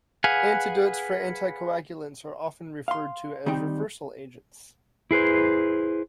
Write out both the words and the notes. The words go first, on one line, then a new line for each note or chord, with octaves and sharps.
Antidotes for anticoagulants are often referred to as reversal agents.
G#4 B4 F5 F#5 G#5
F5 C6
D#3 G3 C4 D#4 G5
E4 G#4 B4 C5